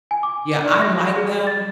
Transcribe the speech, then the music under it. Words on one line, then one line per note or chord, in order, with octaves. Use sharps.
Yeah, I like them,
G#5
D6
D5
A#6
G#4
A6